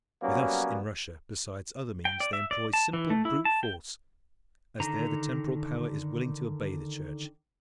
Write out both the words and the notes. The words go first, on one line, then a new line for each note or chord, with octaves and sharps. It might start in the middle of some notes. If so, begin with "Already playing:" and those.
With us in Russia, besides other means, they employ, simple brute force, as there the temporal power is willing to obey the Church.
F#3 G3 A#3 B3 C#4
G5
D5
E5
D5
A5
E3
A3
E4
A5
G5
D3 D#3 A#5